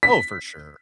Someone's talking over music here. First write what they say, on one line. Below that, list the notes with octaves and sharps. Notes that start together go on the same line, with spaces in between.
Oh, for sure.
B6